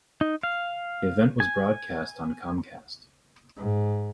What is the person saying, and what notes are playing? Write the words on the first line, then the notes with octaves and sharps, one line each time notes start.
The event was broadcast on Comcast.
D#4
F5
G#5
G#2